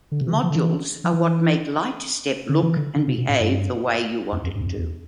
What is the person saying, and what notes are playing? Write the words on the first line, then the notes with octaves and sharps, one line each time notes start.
Modules are what make LiteStep look and behave the way you want it to.
D3
C3
E3
D3
F3
D3
E3
F3
E3
D3
E3
D3
D3
C3
B2
A2
G2
F2
F2
G2
E2
F2
E2